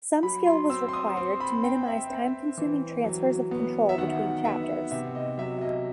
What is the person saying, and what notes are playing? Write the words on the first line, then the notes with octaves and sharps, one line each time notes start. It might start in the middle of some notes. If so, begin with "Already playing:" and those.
Some skill was required to minimise time-consuming transfers of control between chapters.
F#3 B5
C6
C4 E6
C6
D#6
C4 C6
B5
C4 G5
E5
C4
E3
F#3
B3
E5
D#3 F#5
B3 E5
C3 E5
D#5
F#3 E5
D#5